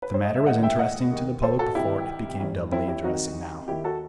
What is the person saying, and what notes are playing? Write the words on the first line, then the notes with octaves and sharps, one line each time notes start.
If the matter was interesting to the public before, it became doubly interesting now.
B4
C5
D#5
E5
E1 D#2 D#3 D#5 F#5
E5 G5
D#5 F#5
D#2 D#3
A4 C5
F#4 A4
C2 C3 D#3 E4 G4
G1 G2 E3
C4 E4
E4 G4
C2 C3 D#3 D#4 F#4
D#2 D#3 E4 G4
F#4 A4